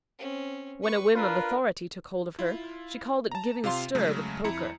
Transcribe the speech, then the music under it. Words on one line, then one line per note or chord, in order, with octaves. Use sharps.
When a whim of authority took hold of her, she called it giving a stir with the poker.
C4 C#4
B4 C#6
D4 F4 A#4 B4
E4 F4
A5 A#5
C3 F4 F5 C6
C#3 F#3 G#3 A3
F2 E4 A#5 C#7